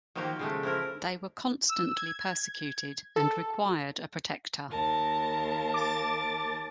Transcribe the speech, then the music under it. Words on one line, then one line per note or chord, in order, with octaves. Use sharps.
They were constantly persecuted and required a protector.
D#3 F3 F#3 A#3 F#4 G4
C#3 G#3 A3
F3 E4 A#4
E6
G#6
A4
D#2 A#4 A5
D6 A6